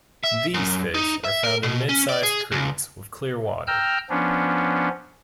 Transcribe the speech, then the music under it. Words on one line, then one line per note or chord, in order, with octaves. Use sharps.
These fish are found in mid-sized creeks with clear water.
E5
F#2
D#4
E5
A#4
B2
C#4
D5
G#4
C#2
G5 A#5 E6 F6 G6
F3 B3 C#4 D4